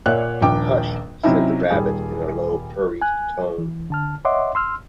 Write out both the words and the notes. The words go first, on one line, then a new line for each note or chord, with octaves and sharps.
Hush!’ said the Rabbit in a low, hurried tone.
A#2 C#5 D5 E5 F#5 F#6
D#1 A#1 G5 D6
C3 F#3 C4 C#4 D#4 E4
D#1 G3 G#4
G#5 F#6
E3
D3 A5 F6
C#5 D#5 E5 F#5 C6 D6
C6 E6 F6